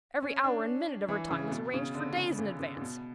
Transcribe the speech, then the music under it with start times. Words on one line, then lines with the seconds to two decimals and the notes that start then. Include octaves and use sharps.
Every hour and minute of her time is arranged for days in advance.
0.22 C#4
0.44 D4
1.09 E3
1.31 C#3
1.51 B2
1.74 C#3
1.95 D3
2.16 C#3
2.39 C#3
2.60 C#3
2.77 C#3
2.82 B2